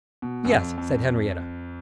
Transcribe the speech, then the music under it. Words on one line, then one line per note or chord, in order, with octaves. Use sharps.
"Yes," said Henriette.
B2
F#2
F2
F2